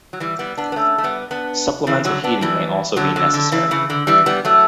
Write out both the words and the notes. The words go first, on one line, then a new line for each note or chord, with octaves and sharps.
Supplemental heating may also be necessary.
F#3
E3 G3
G3 B3
B3 D4
B3
A3 C#4
A3
G3 B3
B3 D4
C#3 E3
D3 F#3
B3 D4
E3 G3
D3 F#3
D3 F#3
D3
C#3 E3
C#3 E3
D3
E3 G3
G3 B3
F#3 A3